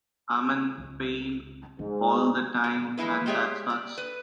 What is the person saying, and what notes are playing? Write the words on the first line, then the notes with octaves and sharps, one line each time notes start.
I'm in pain all the time and that sucks.
C#2
G#2 D#4
A#2
E3 F3 G#3 E4 B4
G#3 A3 G4 G#4 C#5 E5
D5
B4